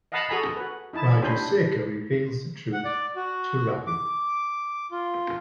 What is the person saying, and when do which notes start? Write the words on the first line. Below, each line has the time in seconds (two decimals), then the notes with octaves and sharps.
Rajasekhar reveals the truth to Ravi.
0.12 D#5 F5 F#5 A5 B5
0.29 F#4 G#4 A4 G#5 A#5 B5
0.57 F#4 B4
0.93 D#4 E4 A5
1.22 C#4 D4 E4 G4 C5 G#5
2.73 F#5
2.85 D5
3.16 F#4
3.87 D6
4.91 F4